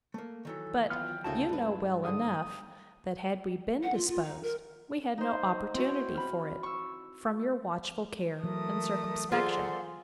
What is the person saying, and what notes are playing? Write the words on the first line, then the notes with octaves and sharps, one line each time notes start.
But you know well enough, that had we been disposed, we had no opportunity for it, from your watchful care and circumspection.
A3 A#3
D#3 E3 F#3 A4
B3 F4 G5 F6
D2 A#2 C#3 D#4 E4 F#4 A5
G2 E4 B4
G#2 D3 D#6
F#5
F4
F4
D#4
A#4
D#4 C5
C4 E4 F#4
B5 F6
C#6 E6
E3 F#3 A3 A#4 D#6
A#3 F4 G#4 A4 C5 D5 F#5